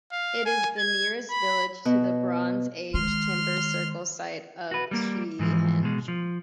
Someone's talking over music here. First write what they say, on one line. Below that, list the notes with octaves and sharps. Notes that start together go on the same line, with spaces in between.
It is the nearest village to the Bronze Age timber circle site of Seahenge.
F5
G#5
G#6
B5
B2
D#3 G#3 C6 F6
F#4 B4
G3 A#3
G#2 E3 F3
B2 G#3
F3